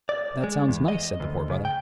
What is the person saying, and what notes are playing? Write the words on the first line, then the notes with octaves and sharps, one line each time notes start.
"That sounds nice," said the Poor Brother.
D5
G#3
E2
D#5
D2
C#3
G5